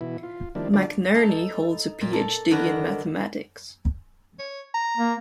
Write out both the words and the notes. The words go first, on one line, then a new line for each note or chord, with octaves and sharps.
McNerney holds a Ph.D in mathematics.
B2 E3 E4
F4
D#3 F3 G3 A#3 D4 E4
D3 F#3 G#3 D4 F4 D5
D#4 A4
A#2
A4 A#5
D3 D#3 F#3 D4 F#4 B4
C#5
A#5
A#3